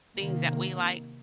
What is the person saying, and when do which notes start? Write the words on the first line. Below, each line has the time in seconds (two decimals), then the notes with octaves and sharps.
things that we like
0.16 C3 D#3 A#3